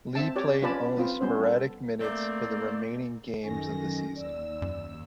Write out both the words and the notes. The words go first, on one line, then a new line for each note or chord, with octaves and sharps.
Lee played only sporadic minutes for the remaining games of the season.
C4 E5 A5
G4 C#5 D5
C#4 F4 B4 D5 A5 B5
C4 F4 B4
G3 B3 C#4 C5
A4
A3 A#3 C4 D5
F#2 D#3 C#4 A4 G#5 A#6
D#2 D5 E6
F#2